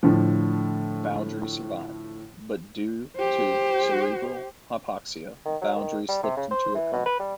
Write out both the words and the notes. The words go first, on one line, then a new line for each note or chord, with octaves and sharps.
Bowdery survived, but due to cerebral hypoxia Bowdery slipped into a coma.
A2 D3 F3
G4 C5
D#3
F#3
D#3
G3
C3
C#3
C5
E3
B2
B4
G3